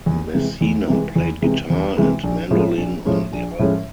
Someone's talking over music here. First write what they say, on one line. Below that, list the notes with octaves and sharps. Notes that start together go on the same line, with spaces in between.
Messina played guitar and mandolin on the album.
E2
C3 E3 G#3
E2
C3 E3 G#3
E2
C3 E3 G#3
E2
C3 E3 G#3
A#1
A2 F3 G#3 C#4
A#1
A2 F3 G#3 C#4
A#1
A2 F3 G#3 C#4